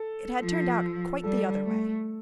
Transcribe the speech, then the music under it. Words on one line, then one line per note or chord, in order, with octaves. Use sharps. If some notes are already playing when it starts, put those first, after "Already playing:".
It had turned out quite the other way.
Already playing: A4
F3
G3 A4
A3